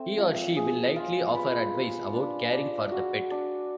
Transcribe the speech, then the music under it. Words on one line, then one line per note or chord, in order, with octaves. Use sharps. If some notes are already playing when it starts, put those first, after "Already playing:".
He or she will likely offer advice about caring for the pet.
Already playing: A3 C4
F3
G#4
F4
B4
B4
D4
D4
F#4
D4